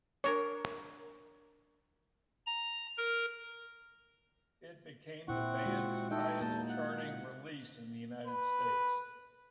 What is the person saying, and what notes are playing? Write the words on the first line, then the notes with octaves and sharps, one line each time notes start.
It became the band's highest-charting release in the United States.
D4 A#4 C#5
A#5
A#4
A#2 C4 E4 F#5 C#6
G#3 F4 F#4
A3 D#4 A4 D#5 G5
E2 A#3 A5 G6
F#5
B4